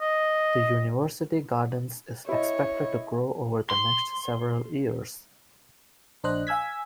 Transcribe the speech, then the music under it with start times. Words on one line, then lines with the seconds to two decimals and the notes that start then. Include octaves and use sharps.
The University gardens is expected to grow over the next several years.
0.01 D#5
2.29 E4 C#5 D#5
3.70 C6
6.24 A#1 D4 C5 D#5 F#6
6.47 F5 G#5 E6 G#6 B6